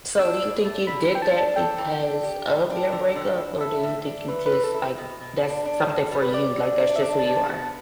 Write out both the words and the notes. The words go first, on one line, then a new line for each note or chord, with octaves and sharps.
So do you think you did that because of your breakup or do you think you just like, that's something for you, like that's just who you are?
D4 E6
E6
A2
A3
D3 B5
D3 G5
A5
D4
A4 G5
E3
D4
G4
A2
D4
D3
D3
E4
A4 E5
A2
D4
E3 B4
B4
E3
A4
E4
B2
B2
D4
D4
A2
G3
B4
G4 D5
D3
D4
E5
D4 D5
A5
B2
A5
B3
A5